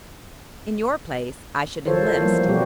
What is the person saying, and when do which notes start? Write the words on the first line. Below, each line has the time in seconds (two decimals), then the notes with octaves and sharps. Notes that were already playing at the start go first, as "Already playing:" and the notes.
In your place, I should enlist.
1.86 D#3 F4 A4 C5 C#5
2.04 E3
2.21 F3 G3 A3 A#3
2.46 B2 G3 C4 F#4 G4 A4